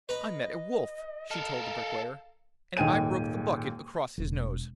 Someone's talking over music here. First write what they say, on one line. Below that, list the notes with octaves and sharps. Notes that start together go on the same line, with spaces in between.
'I met a wolf,' she told the bricklayer, 'and I broke the bucket across his nose.'
B4 D#5 A#5 B5
A4 A#4 F5
D#1 D#2 G#2 G5 G#5 D#7
E1